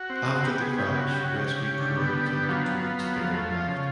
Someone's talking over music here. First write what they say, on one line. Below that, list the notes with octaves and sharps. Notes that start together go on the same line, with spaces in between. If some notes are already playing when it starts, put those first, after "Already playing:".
After the crash rescue crew attempted to reach the aircraft.
Already playing: F#4
C4
C4
B3 G4
B3 G#4
C#3 G4
C#3 F#4
C#3 G4
F#4
C#3
G4
C#3
C#3
D3
B3
D3
B3
F#3 F4
B3
B3
F#3
F2
A3
F3
C#3